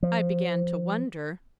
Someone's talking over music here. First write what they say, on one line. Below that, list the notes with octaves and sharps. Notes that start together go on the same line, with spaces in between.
"I began to wonder."
F3